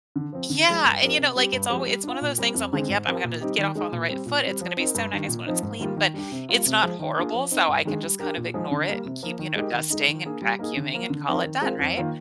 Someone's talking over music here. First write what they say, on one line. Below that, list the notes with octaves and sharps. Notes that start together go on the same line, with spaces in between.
Yeah, and, you know, like, it alw it's one of those things, I'm like, "Yep, I'm gonna get off on the right foot. It's gonna be so nice when it's clean." But it's not horrible, so, I can just kind of ignore it and keep, you know, dusting, and vacuuming, and call it done, right?
D3
F3 C4
D3
F3 G#3
G2
F3 C4 G4 A#4
C3
G3 C4 G4
G2
F3 G#3 C4 G4
G3
D4 F4
A#2
G3 C4 G4 A#4
F2
D3 G#3 C4
G#2
F3 C4 G4 A#4
A#2
G3 C4 D#4 G4
D#3
G#3 D#4 G#4
A#2
G3 C4
A#2
G3 C4
F3
C4 D#4 A#4
G2
D#3 G3 D4
A#2
F3 C4 D#4
G#2
D#3 G3 A#3 F4
D#3
G3 D4 G4
C3
G3 A#3 F4
C3
F3 G#3
D#3
A#3 D4 F4 G#4
F3
C4 D#4
G2
D#3 G#3 D4
G3
D4 G4 A#4
A#2
F3 G#3 D#4 G#4
D3
G3 A#3
C3
F3 A#3
D#3
G#3 D#4 G4 A#4
D#3
G#3 D#4
D#3
A#3 D4 G#4
G3
A#3 D#4 G#4
D3
F3 A#3
D3
F3 C4 D#4 A#4
D#3
G#3 C4 F4 A#4
F2
D#3 A#3 F4 A#4